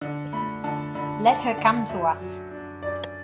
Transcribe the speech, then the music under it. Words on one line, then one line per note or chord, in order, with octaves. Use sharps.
Let her come to us.
D3
A3 B5
D3 A5
D3 B5
D4 A5
D3 F#5
F#2 E5
F#3
D4
F#2 D5